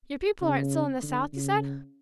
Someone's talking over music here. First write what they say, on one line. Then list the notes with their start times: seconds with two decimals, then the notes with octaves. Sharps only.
"Your people aren't still in the South, you said?"
0.41 C#3
1.03 D3
1.33 C#3